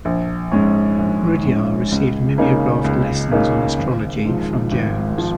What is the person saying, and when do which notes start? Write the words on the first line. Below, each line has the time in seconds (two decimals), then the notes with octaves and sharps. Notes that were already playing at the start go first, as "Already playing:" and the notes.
Rudhyar received mimeographed lessons on astrology from Jones.
0.05 A#1
0.52 G#2 G#3 C#4
0.98 A#1
1.45 G#2 G#3 C#4
1.92 C#2
2.38 C#3 A#3 D#4
2.84 C#2
3.31 C#3 A#3 D#4
3.78 G#1
4.25 G#2 F3
4.71 G#1
5.18 F3